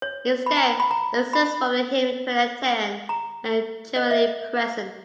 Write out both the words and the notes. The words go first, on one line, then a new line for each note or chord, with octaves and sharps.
Instead, excerpts from the Hymn to the Aten are generally present.
C#5
B5
A#5
B5
A#5
B5
A#5
D#5
E5